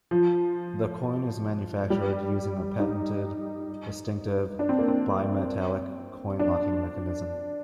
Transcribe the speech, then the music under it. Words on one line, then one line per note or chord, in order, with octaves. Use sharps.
The coin is manufactured using a patented distinctive bimetallic coin-locking mechanism.
F3
G3
D#4
D4
C4
A#3
C4
D4